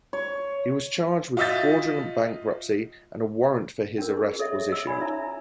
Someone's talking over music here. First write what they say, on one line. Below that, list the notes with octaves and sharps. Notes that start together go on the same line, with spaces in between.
He was charged with fraudulent bankruptcy and a warrant for his arrest was issued.
C#5
F4 F#4 D#5 E5 G6 A6
C#4 D4 A#4
G#4
A4 C#5 D#5 E5
D#5 E6
C#5 D5 G#5 B5
C#4 D#4 E5 A#5